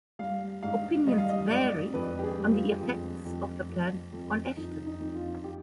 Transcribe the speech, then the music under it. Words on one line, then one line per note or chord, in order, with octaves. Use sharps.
Opinions vary on the effects of the plan on Ashton.
G3 F5
G#2 F5
G3 D#5
F5
D#5
G#2 D5
F2 B4
G4
G#4
G3
F4
F2
F2
F2
F2
F2 D#4
D#4
F2
F4
G4